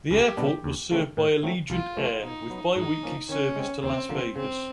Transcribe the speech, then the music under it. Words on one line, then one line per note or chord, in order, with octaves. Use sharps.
The airport was served by Allegiant Air with biweekly service to Las Vegas.
C#2 G4
B2 G3 B3 D4
D#2
C#3 F3 A3 C4
A2
F#3 A3 C4
C2 F4
C3 F3 A3 C#4
B2 D#4
F#3 B3
G#2 D#4
F3 A#3 C#4
D#3 C#4
G#3 C4
D#2 C4
D3 F3 A#3
C#3 C4